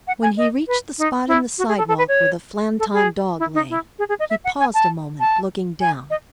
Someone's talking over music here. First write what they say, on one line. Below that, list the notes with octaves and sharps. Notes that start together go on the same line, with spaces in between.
When he reached the spot in the sidewalk where the Flanton Dog lay, he paused a moment looking down.
F#5
G#5
D#5
B4
D#4
E4
F#4
G#4
A4
A4
B4
C#5
A4
G#4
E4
D#4
E4
G#4
G#4
D#5
E5
F#5
G#5
A5
A5
G#5
D#5